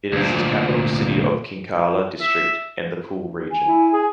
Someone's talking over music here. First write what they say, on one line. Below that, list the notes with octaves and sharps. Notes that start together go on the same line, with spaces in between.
It is the capital city of Kinkala District and the Pool Region.
D2 A#2
E5
G#5
E4
G#4